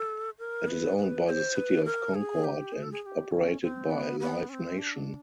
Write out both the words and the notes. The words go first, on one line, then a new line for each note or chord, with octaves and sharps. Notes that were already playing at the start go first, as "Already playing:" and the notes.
It is owned by the City of Concord and operated by Live Nation.
Already playing: A4
A#4
B4
B4
C#5
C5
B4
A#4
G#4
G4
G#4
A4
G#4
G#4
G4
C#4
C4
B3
B3
C#4
C4
D4